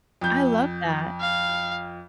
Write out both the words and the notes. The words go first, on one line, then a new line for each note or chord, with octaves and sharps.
I love that.
F2 G6
F5